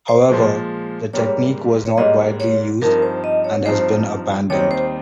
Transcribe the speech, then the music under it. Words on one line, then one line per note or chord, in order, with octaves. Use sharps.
However, the technique was not widely used and has been abandoned.
C5
A#2 F3 G#3
G#2 G3 A#3 C#5
C#5
G#2 G3 A#3 D#5
C#5
G2 F3 C4 D#4 A#4
C5
D#5
C#5
G2 F3 C4 D#4 C5
D#2 D#3 G3 C4 D#4 C#5
C5